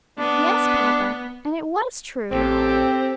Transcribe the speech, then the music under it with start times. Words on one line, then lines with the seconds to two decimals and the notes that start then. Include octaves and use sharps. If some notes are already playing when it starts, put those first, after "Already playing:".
"Yes, papa, and it was true."
0.19 B3 D4
2.31 A1 C4 G4 A4